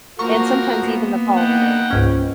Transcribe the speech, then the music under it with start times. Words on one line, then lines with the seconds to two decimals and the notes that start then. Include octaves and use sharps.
and sometimes even the following day.
0.19 F3 A#3 F#4 A#4 A#5 C#6
0.82 A#3 B3
1.37 D#4 F#5 G5
1.91 C#2 G#2 C#4